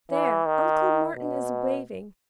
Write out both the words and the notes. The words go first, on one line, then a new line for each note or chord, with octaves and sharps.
There, Uncle Martin is waving.
E3
D#3
B2